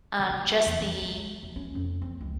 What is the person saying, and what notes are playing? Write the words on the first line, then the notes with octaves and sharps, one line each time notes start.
um, just the,
D3
G#3
E2
E3
G#3
D#2
C#4
F2
C4
C#2